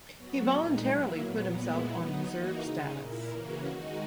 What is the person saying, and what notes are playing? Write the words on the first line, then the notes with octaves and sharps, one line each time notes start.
He voluntarily put himself on reserve status.
F#3 B3 F#4
A#2 G#3 D#4
F#3 A#3 E4
A#2 F#3 B3
A#2 G#3 B3 E4
F#3 B3 D#4
E3 A#3 D#4 F#4
C#3 G#3 D#4
A#2 A#3 E4
C#3 E3 A#3 C#4 F#4
D#3 G#3 D#4 F#4